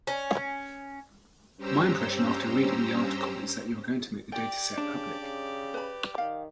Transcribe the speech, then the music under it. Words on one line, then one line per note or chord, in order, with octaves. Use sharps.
My impression after reading the article is that you are going to make the dataset public.
C#4
G2 C#4 G4 C5 A#5 E6
G4 D5 G5
C#3 D4
C#3
B4 B5
D#3 F5